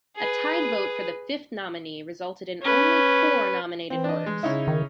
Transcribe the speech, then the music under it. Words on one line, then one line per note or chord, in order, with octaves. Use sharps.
A tied vote for the fifth nominee resulted in only four nominated works.
G#4 B4
C#4 B4
E3 C4
D4 D#5
E3 G#3
C#3 C#4 D#4 E4
D#3